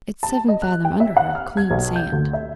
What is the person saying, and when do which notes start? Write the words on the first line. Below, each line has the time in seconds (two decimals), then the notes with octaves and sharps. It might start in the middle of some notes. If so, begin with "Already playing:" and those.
It's seven fathom under her--clean sand.
0.23 A5
0.48 D#5
0.62 F#6
0.85 G5
1.00 E5
1.17 F#5
1.35 F6
1.57 G#6
1.70 B1
1.96 G6
2.12 D2
2.33 E5